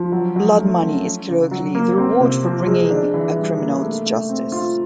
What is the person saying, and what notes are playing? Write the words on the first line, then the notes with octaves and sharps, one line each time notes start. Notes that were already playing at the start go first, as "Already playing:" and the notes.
Blood money is, colloquially, the reward for bringing a criminal to justice.
Already playing: F3
F#3
F#3
A3
C#4
C#4
C#3
F#3
A#3
C4
C3
F3
G#3
D4
E3
G3
A#3
A3
A3
C4
F4